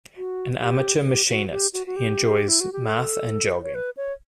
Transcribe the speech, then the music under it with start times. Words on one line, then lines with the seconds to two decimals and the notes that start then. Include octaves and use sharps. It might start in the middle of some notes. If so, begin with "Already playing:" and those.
An amateur machinist, he enjoys math and jogging.
0.17 F#4
0.61 G4
1.06 G4
1.29 F#4
1.51 G4
1.73 F#4
1.87 F#4
1.96 G4
2.48 E4
2.60 F#4
2.73 G4
2.85 A4
3.63 C#5
3.75 B4
3.97 C#5